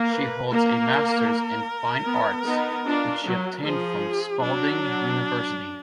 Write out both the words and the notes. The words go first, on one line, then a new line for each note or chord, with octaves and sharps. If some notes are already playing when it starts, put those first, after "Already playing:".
She holds a masters in fine arts, which she obtained from Spalding University.
Already playing: A#3
B4
A#3 A#4
B3
B3 D#4
D4 F4
F#3
F3 G#4
F#3 D4